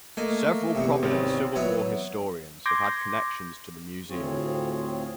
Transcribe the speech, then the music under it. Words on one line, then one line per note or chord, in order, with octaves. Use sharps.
Several prominent Civil War historians have had connections to the museum.
A3 A#3 D#5 G#5
E2 C3
G#1 C4 C#5
E3 F#3 B3 C#5
C6 D6 G6 G#6 A#6
D2 A2 C4 F4 G#4 C#5